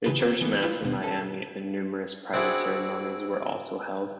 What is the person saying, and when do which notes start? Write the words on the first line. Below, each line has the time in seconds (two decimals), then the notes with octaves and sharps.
A church mass in Miami and numerous private ceremonies were also held.
0.06 C#3 E3 G4 B4
0.21 A#3 C4
0.41 E3 A#3 B3
0.62 E4 F4 B4
0.81 D#2 B2
1.03 C#4 A4
2.33 C4 D4 E4 F#4 G#4